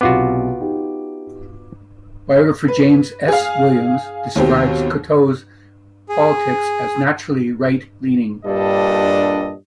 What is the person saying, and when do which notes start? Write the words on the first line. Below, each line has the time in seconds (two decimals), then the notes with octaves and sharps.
Biographer James S. Williams describes Cocteau's politics as naturally Right-leaning.
0.01 B1 C3 B3 F4 F#4 D6
0.61 D#4 G4
2.68 B4
3.28 G#4 F5
4.36 D#2 B2 C4 G4
6.09 G#4
8.46 G2 A#2 G3 D4 A4 D#5